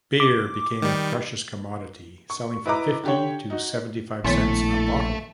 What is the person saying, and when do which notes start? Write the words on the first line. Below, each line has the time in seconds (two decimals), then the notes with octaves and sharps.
Beer became a precious commodity, selling for fifty to seventy-five cents a bottle.
0.20 D6
0.82 D#3 G3
2.30 C#6
2.66 E4 B4 D#5 A#5 D6
3.03 D3 G4 C#5
3.50 D#4 F#4
4.24 A#1 A2 D#3 A3 B3 C#5